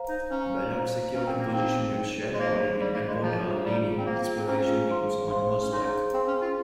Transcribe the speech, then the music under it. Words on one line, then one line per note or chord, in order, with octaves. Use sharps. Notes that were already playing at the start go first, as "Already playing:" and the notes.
Ballard secured a position at Shell Oil in Alberta, leading exploration teams on horseback.
Already playing: C5 F5 A#5
D#4
C#4 C5 F5 A#5
C5 F5 A#5
C#4 C5 F5 A#5
C4
A#3
C4 D#4 G#4 C5
D#4 G#4 C5
G#3
A#3 D#4 G#4 C5
G3 D#4 G#4 C5
A#3
G#3
F3 F4 G#4 C5 F5 A#5
G3 F4 G#4 C5 F5 A#5
C4
A#3 F4 G#4 C5 F5 A#5
C4
C#4 F4 G#4 C5 F5 A#5
G#4 C5 F5 C6
G#4 C5 F5 C6
C#4
D#4 G#4 C5 F5 C6
C4 G#4 C5 F5 C6
C#4
F4